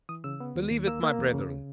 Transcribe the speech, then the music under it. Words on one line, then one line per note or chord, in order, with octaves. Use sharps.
Believe it, my brethren!
E3 D#6
C#3 E6
B3
D#2
D#2
A#3 E6
A#3
E2
C#3